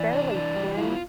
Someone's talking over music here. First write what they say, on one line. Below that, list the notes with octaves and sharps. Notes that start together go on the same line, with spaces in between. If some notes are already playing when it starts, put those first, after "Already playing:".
fairly thin
Already playing: E3 D5
D4
E3 D5
G3
E4 F4